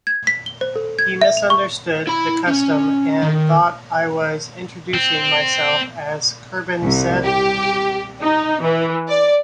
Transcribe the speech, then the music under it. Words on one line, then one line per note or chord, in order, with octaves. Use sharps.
He misunderstood the custom and thought I was introducing myself as Kurban Said.
G#6
B6
G7
C5
A4
G#6
E5
F7
C#6
E4 B5
C#4
D#3
C4
C2
G4
D#4
E3
D5